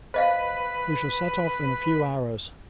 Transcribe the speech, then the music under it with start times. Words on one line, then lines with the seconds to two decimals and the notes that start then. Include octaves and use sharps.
"We shall set off in a few hours."
0.14 B4 C5 D#5 F5